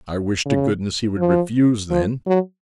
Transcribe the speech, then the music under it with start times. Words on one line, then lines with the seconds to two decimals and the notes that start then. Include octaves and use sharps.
"I wish to goodness he would refuse, then!"
0.46 C#3
1.19 F3
1.91 F3
2.27 F#3